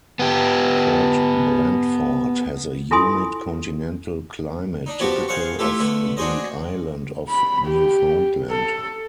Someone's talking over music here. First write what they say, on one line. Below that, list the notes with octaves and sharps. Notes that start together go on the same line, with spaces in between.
Port Blandford has a humid continental climate typical of the island of Newfoundland.
B3 G4
E4 F4 A4 G#5 C6 D#6
D4 D#4
F3 B3 F#4 G4 A5
G#4 C5 F5 F#5 C#6
A3 E4 F4 G4 A4
D3 A3 B3
D4 F#4 G#4 C5 D#5
B5
G4
A4